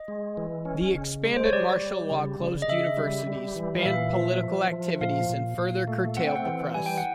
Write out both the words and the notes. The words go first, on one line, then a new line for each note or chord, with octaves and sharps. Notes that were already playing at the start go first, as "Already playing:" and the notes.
The expanded martial law closed universities, banned political activities and further curtailed the press.
Already playing: D#5
G#3
E3
C#4
C#3
G#3
C5
C#5
G3 D5
G3
C#3
C#3
D#5
C#3 E5
G3
G3
E3
F5
A#2 E5
F3
F3
F3
A#2 F5
A#2
A#2
A3
C4 F#5
G5
F#5
E3
G3 G#5
G5
F#5